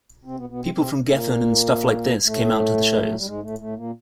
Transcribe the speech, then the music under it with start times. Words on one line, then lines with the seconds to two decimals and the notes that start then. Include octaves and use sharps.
People from Geffen and stuff like this came out to the shows.
0.25 C3 C4
0.36 B2 B3
0.49 B2 B3
0.62 C3 C4
0.74 C3 C4
1.08 A#2 A#3
2.25 A2 A3
2.94 F3
3.04 F#3
3.16 G3
3.25 G#2 G#3
3.42 A2 A3
3.59 A2 A3
3.76 A#2 A#3